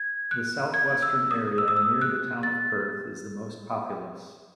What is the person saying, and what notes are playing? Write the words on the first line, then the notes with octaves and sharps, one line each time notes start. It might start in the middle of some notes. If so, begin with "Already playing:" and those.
The south-western area, near the town of Perth, is the most populous.
Already playing: G#6
F#6
G#6
E6
D#6
E6
D#6
E6
F#6
A6